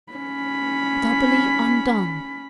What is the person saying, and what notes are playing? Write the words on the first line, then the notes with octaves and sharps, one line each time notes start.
Doubly undone!
C#4 B5